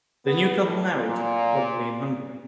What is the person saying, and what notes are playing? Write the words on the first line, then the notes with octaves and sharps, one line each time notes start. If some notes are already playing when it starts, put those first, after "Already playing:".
The new couple married, probably in Hungary.
B3
A2
A#2